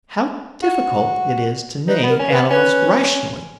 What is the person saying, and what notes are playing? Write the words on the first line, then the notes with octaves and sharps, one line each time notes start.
How difficult it is to name animals rationally!
F#4
D#4 B4
B3
A#4
C#4
B4
B3
C#4 B4